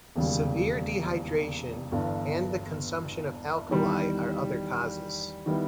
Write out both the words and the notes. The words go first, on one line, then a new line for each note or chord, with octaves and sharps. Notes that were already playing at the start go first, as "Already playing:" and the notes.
Severe dehydration, and the consumption of alkali are other causes.
E1 D#2 C#3 G3
G1 G2 E3
E2 D#3 G3
D#3 G3 B3 E4